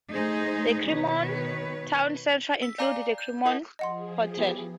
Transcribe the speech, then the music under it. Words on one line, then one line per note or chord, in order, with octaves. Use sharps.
The Cremorne Town Centre includes the Cremorne Hotel.
A3 D#4 G#4 C5 D#5
B2 D#3 B4 C#5
E6 B6
D5 F5 G#5 A#5 D6 C7
G6
E4 A#4 D#5 F#5
F3 G#4 D#5 F#5 C6
B3 E4 G4